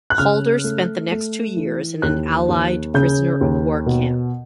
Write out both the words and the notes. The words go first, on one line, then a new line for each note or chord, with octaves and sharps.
Halder spent the next two years in an Allied prisoner of war camp.
F#6
C#3 F6
A3
A3
E3
D#2 F#6
D#2
C#3 G6
D#2
B2